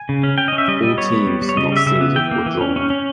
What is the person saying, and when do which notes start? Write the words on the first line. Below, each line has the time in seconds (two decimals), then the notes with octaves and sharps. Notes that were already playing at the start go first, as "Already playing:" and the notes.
All teams not seeded were drawn.
Already playing: G#5
0.09 C#3
0.23 C#4
0.38 C#4 G5
0.48 D#5
0.52 C#4
0.58 E5
0.68 G3 D#5
0.83 G3
0.98 B3 C#5
1.12 B3
1.27 G3
1.42 G3
1.49 C#5
1.57 C#3 D#5
1.72 G3 E5
1.86 C#3 E5
2.01 B3
2.16 E3 G5
2.31 A#3
2.46 E3
2.61 C#4
2.76 C#4
2.90 C#4